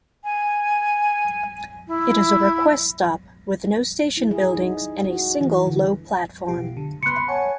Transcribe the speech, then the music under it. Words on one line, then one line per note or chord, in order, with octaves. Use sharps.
It is a request stop with no station buildings and a single low platform.
G#5
E4
E4
G#4
D#4
G3
F#4
E3
D3
B2 F4 G4
D3
C#3 B3 B5 C6 F#6 C#7
C#5 F#5 G#5 A5 C#6